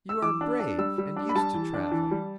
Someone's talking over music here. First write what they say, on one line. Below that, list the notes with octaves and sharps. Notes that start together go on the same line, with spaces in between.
You are brave and used to travel.
E6
E3 D6
D4
D4
G3 E6
G3
D4
B5
G3 A5
E3
D4
E3
G3